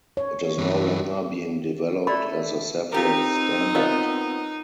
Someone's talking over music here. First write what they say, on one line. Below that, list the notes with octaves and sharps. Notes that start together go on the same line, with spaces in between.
It is no longer being developed as a separate standard.
C#5
G2 E3
A3 D5 B5
C4 D#4 F4 G4 A#4
B3 F4 A#4 C#5 D#5